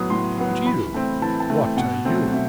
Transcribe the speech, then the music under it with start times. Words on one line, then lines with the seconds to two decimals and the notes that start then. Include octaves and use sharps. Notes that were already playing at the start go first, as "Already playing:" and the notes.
But you--what are you.'
Already playing: A2 F#3 B3 D#6
0.10 A2 C6
0.38 F#3 B3
0.65 E3 B5
0.94 A3 C4
1.22 E3 A5
1.40 A5
1.50 A3 C4
1.58 G5
1.77 B2 F#5
2.05 F#3 A3 C4
2.33 B2 E5